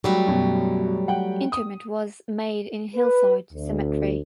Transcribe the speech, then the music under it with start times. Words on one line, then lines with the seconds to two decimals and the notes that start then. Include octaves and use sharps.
Interment was made in Hillside Cemetery.
0.04 F#3 G3 A3 F#4
0.27 F#2 B2
1.08 F#5 G5
1.52 D#6
2.95 B4
3.53 D2